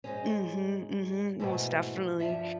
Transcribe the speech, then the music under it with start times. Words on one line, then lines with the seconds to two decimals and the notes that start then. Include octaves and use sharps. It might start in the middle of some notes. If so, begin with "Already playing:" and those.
Mhm, mhm, most definitely,
0.04 G#2 G#3 C#4
1.40 G#2 B2 E3 A3
2.20 G2 F3 F4 E5